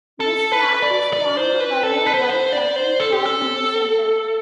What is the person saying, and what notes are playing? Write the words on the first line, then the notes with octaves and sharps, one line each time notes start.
This flag is formed by a white Latin cross in the center.
A4
B4
D5
D5
C5
B4
A4
B4
C5
B4
C5
D5
C5
A4
G4
A4